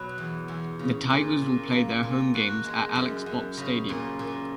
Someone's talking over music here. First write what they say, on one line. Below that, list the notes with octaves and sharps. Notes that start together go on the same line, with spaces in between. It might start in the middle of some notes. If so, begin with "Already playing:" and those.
The Tigers will play their home games at Alex Box Stadium.
Already playing: B2 F#3
E2
E2
C#3
A#2
A#2
A#3
A#2
F#4
G#3
F#2
F#2
C#3
A#2
A#2